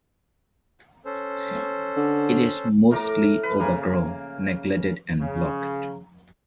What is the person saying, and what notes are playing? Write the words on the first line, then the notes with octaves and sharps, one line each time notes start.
It is mostly overgrown, neglected and locked.
C#4 A4 C5
D3
A2 A#4 A#5 D6
B4
C#3 A#3
C#3